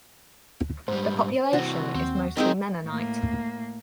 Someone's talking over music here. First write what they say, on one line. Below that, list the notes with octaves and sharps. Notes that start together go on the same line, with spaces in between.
The population is mostly Mennonite.
G#2 G3 C5
C3 E3 F#4
D#2 C4
G#3 C4 D#4 A#4 G5
A2 A#3